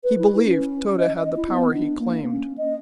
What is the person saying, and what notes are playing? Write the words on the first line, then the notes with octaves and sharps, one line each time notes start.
He believed Tode had the power he claimed.
B4
E4
C#4
D#5
D#5
E4
B3
D4
A#3
C#4
D#5